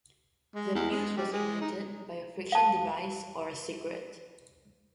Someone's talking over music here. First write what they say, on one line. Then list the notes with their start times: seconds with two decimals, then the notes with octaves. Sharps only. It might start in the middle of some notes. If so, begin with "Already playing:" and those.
The fuse was ignited by a friction device or a cigarette.
0.55 G#3
0.75 E2
0.90 G#3
1.17 G3
1.32 G#3
1.61 D#4
2.52 F5 A5